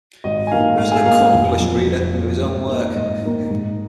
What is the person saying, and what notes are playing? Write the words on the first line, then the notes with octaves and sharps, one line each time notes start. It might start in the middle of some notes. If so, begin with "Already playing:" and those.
He was an accomplished reader of his own work.
G#1 D#5
G#5
G#2 D#3 A#3 D#4 F5
G#1 F5
G#4 G#5
G#2 D#3 A#3 D#4 F5
F1
F2 F3
F1
F2 F3
G#2
D#3 A#3 D#4
G#2 D#5
D#3 A#3 D#4
G#2